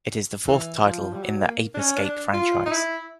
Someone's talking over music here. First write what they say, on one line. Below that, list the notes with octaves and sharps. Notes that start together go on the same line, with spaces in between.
It is the fourth title in the "Ape Escape" franchise.
E3
F3
G3
F#3
A#3
D4
C#4
D4
F4
D#4
E4